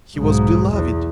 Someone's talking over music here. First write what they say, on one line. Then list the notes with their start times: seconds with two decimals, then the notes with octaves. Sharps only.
He was beloved.
0.16 B1 G#2
0.73 E2